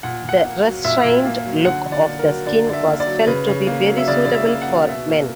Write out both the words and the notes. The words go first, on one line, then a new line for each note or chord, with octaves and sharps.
The restrained look of the skin was felt to be very suitable for men.
A#2 F#5
A#2 F#5
A#3
F#3
A#2 E5
A#2
A#3
F#3
D3 F#5
D3
D5
A#3
A#4
F#3
D3 D5
D3 D5
E5
A#3
D5
F#3
C#3 B4
C#3
A#3
F#3
E5
C#3 D5
C#3 D5
E5
A#3
F#5
F#3
B2 E5
A#3